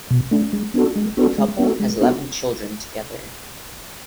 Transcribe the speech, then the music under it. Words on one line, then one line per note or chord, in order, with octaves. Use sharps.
The couple has eleven children together.
B2
A3 D4
G#3
B3 D4 F#4 A4
G#3
B3 D4 F#4 A4
G#3
B3 D4 F#4 A4
G#3
B3 D4 F#4 A4